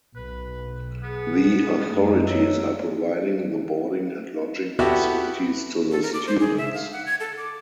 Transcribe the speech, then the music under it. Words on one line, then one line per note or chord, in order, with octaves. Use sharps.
The authorities are providing the boarding and lodging facilities to the students.
B1 B4
B3 G#4
F#2 A3 A#3 D#4
C#5 E5
B3 E4 F#4 G4 A4
A4
A#4
D6
C5
G#4
E5
F5
F#5
G#6
A4
D6